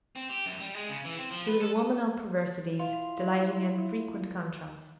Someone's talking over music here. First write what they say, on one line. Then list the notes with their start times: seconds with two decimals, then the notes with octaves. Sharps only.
She was a woman of perversities, delighting in frequent contrasts.
0.16 C4
0.30 G4
0.46 F#2
0.60 G3
0.75 G#3
0.89 C#3
1.05 E3
1.18 C4
1.31 F3
1.48 B4
1.61 A4
2.79 E4 F4